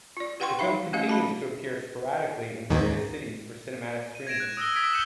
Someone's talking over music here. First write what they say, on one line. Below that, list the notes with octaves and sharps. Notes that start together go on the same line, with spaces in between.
The film continues to appear sporadically in various cities for cinematic screenings.
F4 D5
G4 B4 F#5 G5 C6 C#6
D#4 E5 F5 B5
A3 C#4 G4 D#5 F5
F#4 A5 B5
D#2 G#2 D#3
D#7
G#6 A#6 D7 E7
F#6 E7
D#6 E6 A#6 D7 G7
D#6 E6 G#6 B6 D7
G6 C#7 D#7 E7 F#7 G7